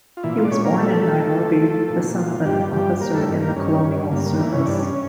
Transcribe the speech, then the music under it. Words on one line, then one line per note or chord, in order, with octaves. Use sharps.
He was born in Nairobi the son of an officer in the Colonial Service.
F4
A#2 E3 E4
F3 F4
D5
A#2 C#4 C#5
A#3 A#4
F3 A3 A4
F3
F3
F3
A#2
F3
G2 G3 G4
G2 G3 G4
G3 A#3 A#4
A3 A4
G2
A#3 A#4
G2 C#4
G2
G2 A#3
A#3
E3 A#3
C#4
G2 D4
C#4